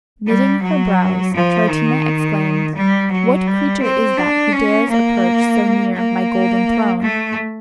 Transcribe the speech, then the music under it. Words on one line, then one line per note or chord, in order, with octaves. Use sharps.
Knitting her brows, Troutina exclaimed, "What creature is that who dares approach so near my golden throne?"
G3
F#3
F3
D#3
G3
F#3
G3
C4
D4
C#4
A#3
A#3
A3